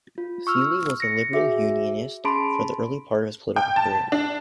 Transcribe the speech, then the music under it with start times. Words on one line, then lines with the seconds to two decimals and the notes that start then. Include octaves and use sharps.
Seely was a Liberal Unionist for the early part of his political career.
0.18 F4
0.47 C#6 E6 F6
1.00 A#6 C#7
1.33 F#4 G#4 E5
2.24 C#4 G#4 A5 B5 C6 D7
3.56 G5
3.76 A5
4.12 D4